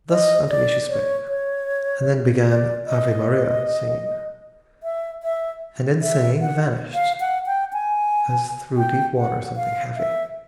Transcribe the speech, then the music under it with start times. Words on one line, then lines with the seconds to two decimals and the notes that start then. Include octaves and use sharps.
Thus unto me she spake, and then began "Ave Maria" singing, and in singing Vanished, as through deep water something heavy.
0.10 D#5
0.50 D5
0.89 C#5
1.28 C#5
2.47 D5
2.86 D#5
4.83 E5
5.23 E5
6.02 E5
6.41 F#5
6.94 F5
7.20 F#5
7.46 G5
7.73 G#5
8.78 G5
9.17 F#5
9.56 F5
9.96 E5